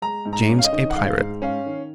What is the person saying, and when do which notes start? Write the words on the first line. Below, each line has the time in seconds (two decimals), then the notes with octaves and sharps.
James, a pirate.
0.02 G#3 A#5
0.25 G#2
0.33 A#5
0.49 C#4
0.59 F5
0.64 D#5
0.73 D#3
0.90 F#5
0.96 G#3 F5
1.18 G#2
1.42 C#4 F5
1.66 D#3